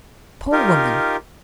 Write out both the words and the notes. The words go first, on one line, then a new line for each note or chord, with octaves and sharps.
"Poor woman!"
D#4 F4 G4 A#4